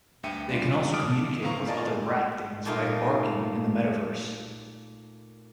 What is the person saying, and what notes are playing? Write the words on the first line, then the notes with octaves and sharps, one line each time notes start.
They can also communicate with other Rat Things by "barking" in the Metaverse.
D2 G2 E5 G5 C#7 D#7
G3 D4 F4
A5 D6 D#6 F6 D7
G2 B3 C4 F5 A#5 C#6
F4 A#4 D5 D#5 G#5 A5
A#2 A3 A#3 D#4 F4